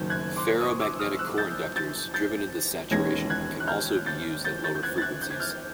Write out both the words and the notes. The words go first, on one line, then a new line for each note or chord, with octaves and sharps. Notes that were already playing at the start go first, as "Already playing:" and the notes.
Ferromagnetic core inductors driven into saturation can also be used at lower frequencies.
Already playing: F#1 F#2 D#3 G6
F#6 G#6
C6 D6
C#6 D#6
D6 E6
D#6 F6
E6 F#6
G6 A6
G6 A6
G6 A6
E1 D#2 D#3 G#3 C#4 G#6 A#6
F#6 G#6
F#6
F6 G6
G6 A6
G6 A6
G6 A6
G6
F#6 G#6
A6
F#6 G#6
G6
G#6
F6 G6